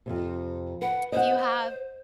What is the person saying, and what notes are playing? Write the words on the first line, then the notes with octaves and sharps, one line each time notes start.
Do you have
F2 A2 C3
B4 F#5
C5 D#5 F5 F#5